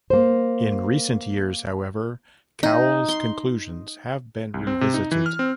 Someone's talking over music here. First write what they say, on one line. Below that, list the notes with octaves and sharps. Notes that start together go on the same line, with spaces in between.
In recent years however, Cowles' conclusions have been revisited.
A#3 C5
D#4
C6
C2
C4
C3
D#4
E3
F6
C4